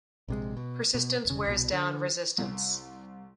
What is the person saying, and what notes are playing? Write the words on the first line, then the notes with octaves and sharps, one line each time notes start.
Persistence Wears Down Resistance.
A#1 C3 G#3
B2
B2
E1 C#3
C2 B2
D3
C2